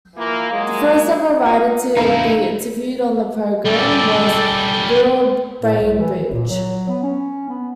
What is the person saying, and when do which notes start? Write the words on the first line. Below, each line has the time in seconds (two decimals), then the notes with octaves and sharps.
The first ever writer to be interviewed on the programme was Beryl Bainbridge.
0.16 E3 A#3 F4
0.51 F#3 G#3 A#3
1.46 F4 C#5 D#5 F#5
1.97 E2 A2 C#3 D#4 E4 A4 F5 A#5
3.66 G3 C#4 A4 D5
5.63 A2
5.80 C2
5.99 E3
6.15 D#3
6.32 A#2
6.50 F#3
6.88 B3
7.02 C#4
7.49 B3